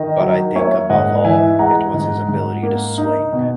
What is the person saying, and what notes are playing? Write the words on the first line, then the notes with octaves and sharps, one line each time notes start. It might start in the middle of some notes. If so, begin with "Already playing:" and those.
But I think above all it was his ability to swing.
Already playing: D#3 D#5
F#3
A#3 C#5 E5
G#2 D#5 F#5
E3 E5 G#5
G#3 F#5 A#5
G#2
G#2
A#3
D#4
B2